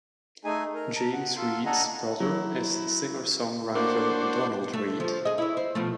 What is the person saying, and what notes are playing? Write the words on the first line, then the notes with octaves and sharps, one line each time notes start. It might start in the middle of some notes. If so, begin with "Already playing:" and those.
James Reid's brother is singer-songwriter Donald Reid.
A3 D#4 G#4 G#5
A#4
A5 A#5
F#5
F4 A4 C6
D4 A4 D#5 F#5 G#5 A#5
F#3 E4
A#3 D4 F#4 C5 D6
A3
F3
G#4 D#5
E4 C#5
C5
B2 F3 A3